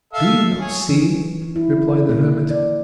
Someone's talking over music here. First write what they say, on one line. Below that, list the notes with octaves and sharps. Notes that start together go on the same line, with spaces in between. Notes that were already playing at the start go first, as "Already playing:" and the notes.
"Do you not see," replied the hermit.
A4 E5 F5
G#4 C#5
E3
E3
E4
A#3
D5